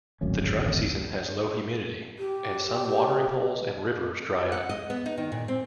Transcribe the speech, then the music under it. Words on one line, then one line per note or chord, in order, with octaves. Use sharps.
The dry season has low humidity, and some watering holes and rivers dry up.
D1 G#1 F#2 C#4
G4
F#5
D#5
B3
D#4
D#3
A#2
C4